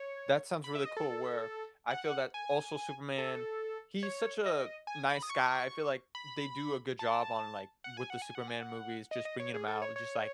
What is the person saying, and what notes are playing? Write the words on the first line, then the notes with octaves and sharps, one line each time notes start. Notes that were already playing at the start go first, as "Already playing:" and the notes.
that sounds really cool where I feel that also Superman, he's such a nice guy. I feel like they do a good job on, like with the Superman movies, just bringing him out. Just like,
Already playing: C#5
B5
E5
D#5
A4
F#5
G#5
A4
C#5
D#5
G#5
B5
D#6
C#6
B5
A5
F#5
G#5
F#5
G#5
F#5
G#5
F#5
D#5
D#5
C#5
G#4
A4
C#5
C#5